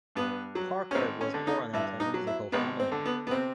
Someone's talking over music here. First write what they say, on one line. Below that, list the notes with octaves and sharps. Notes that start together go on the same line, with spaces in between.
Parker was born into a musical family.
G2 B3
F#3
C#4
G#1 C4
C#4
D3
D#4
G2 E4
D#4
F#3
E4
G#1 B3
C4
D3
B3
B3
C3 C4